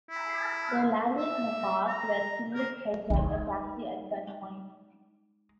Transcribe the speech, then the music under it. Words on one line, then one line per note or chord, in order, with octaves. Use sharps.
They landed in a park where Killick hijacked a taxi at gunpoint.
E4
E5
A#5
A#4
G#3 D#4